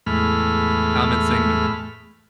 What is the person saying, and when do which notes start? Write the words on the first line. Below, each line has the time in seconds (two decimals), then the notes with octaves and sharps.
common thing to
0.06 E2 A2 G#3 A3 B5 F6